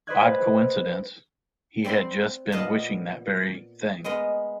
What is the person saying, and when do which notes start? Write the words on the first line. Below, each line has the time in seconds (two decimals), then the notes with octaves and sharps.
Odd coincidence — he had just been wishing that very thing.
0.07 B4 C5 D5 D#5 F#6 G#6
1.84 C4 D5 B5 C6
2.52 A#2 B3 D#5 F5 A5
4.04 G#3 B3 A#4 D#5